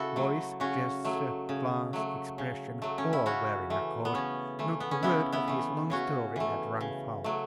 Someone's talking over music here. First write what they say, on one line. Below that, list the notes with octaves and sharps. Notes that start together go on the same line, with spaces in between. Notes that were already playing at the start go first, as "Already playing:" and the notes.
Voice, gesture, glance, expression, all were in accord; not a word of his long story had rung false.
Already playing: C#3 E4 F#4 A4
F#3 A3
C#3 C#4 F#4
F#3 A3
C#3
F#3 A3
C#3
F#3 A3
C#4
E4
C#3 C#4 F#4
E3 A3
B3
C#3 C#4
E3 A3
B3
C#4
C#3 B3 E4
B3 E4
E3 A3
C#3 C#4 F#4
E3 A3
C#3
F#3 A3